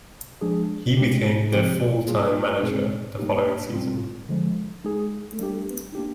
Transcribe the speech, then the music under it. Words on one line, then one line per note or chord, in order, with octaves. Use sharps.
He became their full-time manager the following season.
F3 G#3 D4 G#4
G#3 D#4 G4
C3 F3 C4 G4
G3 A#3 F4 G#4
A#2 G#3 C4 D#4 G#4
G3 A#3 D#4 G4
G3 C4 F4
D3 F3 G#3
G#3 D#4 G#4
G3 D4 G4
A#3 D4 G4